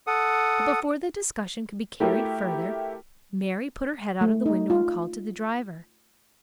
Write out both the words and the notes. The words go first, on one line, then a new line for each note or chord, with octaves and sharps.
But before the discussion could be carried farther, Mary put her head out of the window and called to the driver.
A4 F#5 D#6
A3 E4 F#4 G4 A#4
A3
D#4
F4